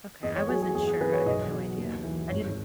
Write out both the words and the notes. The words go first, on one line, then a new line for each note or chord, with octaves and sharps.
Okay, I wasn't sure, I have no idea. I didn't
E2 D#5
C#5
F#3 G#4
G#4
E2 G#4
G#4
E3 B4
C#5
B1 D#5
F#3
D#2
E3
G#1 C#5